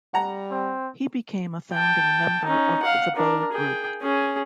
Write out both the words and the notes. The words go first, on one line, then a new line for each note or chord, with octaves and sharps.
He became a founding member of the Bow Group.
G3 F#5 A#5
C4
G5 A5
C#4 D#4
F5 F#5
D4 A#4
G#4 G5
C#4 G#4